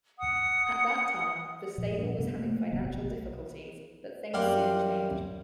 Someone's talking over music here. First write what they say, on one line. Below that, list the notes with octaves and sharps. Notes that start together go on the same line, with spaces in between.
At that time, the stable was having financial difficulties but things soon changed.
F#5 D#6
A#2 F3
G2
C3 B3
A3 A#3
G#1 C3 F#3 B3
B1 B2
F#2 G3 F5 F#5 C6 D6